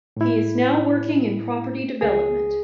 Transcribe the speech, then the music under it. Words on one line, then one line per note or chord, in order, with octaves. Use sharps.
He is now working in property development.
A2 E4
C#2 G#4